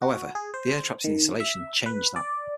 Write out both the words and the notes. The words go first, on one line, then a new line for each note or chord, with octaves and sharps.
However, the air trapped in the insulation changed that.
F#4
G#4
C5
D#3
E5
B4
D5